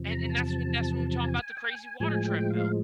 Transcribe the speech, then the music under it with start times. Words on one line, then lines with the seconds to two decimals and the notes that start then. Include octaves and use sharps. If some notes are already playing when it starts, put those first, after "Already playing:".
And and that's when that's when we were talking about the crazy water treadmill.
Already playing: E2 C3 F3
0.11 A#5
0.29 A5
1.24 G#5
1.50 G5
1.57 G#5
1.64 G5
1.75 G#5
2.00 A2 F3 G#3 G#5
2.25 G5
2.50 F5